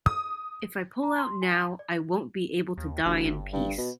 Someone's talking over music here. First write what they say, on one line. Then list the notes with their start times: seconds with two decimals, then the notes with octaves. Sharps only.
If I pull out now, I won't be able to die in peace.
0.06 D#6
1.03 A#5
1.18 C6
1.42 G#5
1.79 D5
2.77 D#2
3.06 F1 D2
3.25 G1
3.52 G2
3.78 B2